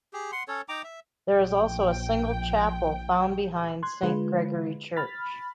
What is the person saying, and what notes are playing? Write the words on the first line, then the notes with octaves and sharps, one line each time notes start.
There is also a single chapel found behind Saint Gregory Church.
G4 G#4
F#5 C6
C#4 A4 C#5
D#4 G5 A#5 D6
E5
A#1 G5
C6 F#6 G#6
D3 G#3 F4 B4
B5 F6 A6 B6